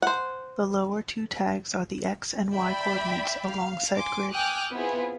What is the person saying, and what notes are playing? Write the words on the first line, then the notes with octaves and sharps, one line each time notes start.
The lower two tags are the "X" and "Y" coordinates along said grid.
C5 F#5
D5 E5 G5 B5
F5
G#5 C6 D6
G5 G#5 D6 D#6 F6 F#6
B3 C4 E4 F4 G#4